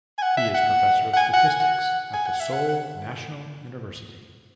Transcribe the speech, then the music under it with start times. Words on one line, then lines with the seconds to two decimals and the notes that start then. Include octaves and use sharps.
He is Professor of Statistics at the Seoul National University.
0.18 G#5
0.22 F#5
0.37 E5
0.54 F#5
1.13 F#5
1.17 G#5
1.33 F#5
1.46 G#5
1.60 F#5
2.13 G#5
2.27 F#5
2.40 E5
2.53 F#5
2.69 F#5